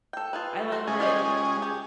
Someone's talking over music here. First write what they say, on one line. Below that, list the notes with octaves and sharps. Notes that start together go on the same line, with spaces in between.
I love that e
A4 G5
F4 G#4 B4
F#4 C5
G#3 C#4 F4 G#4
F4 G4 D#5
G4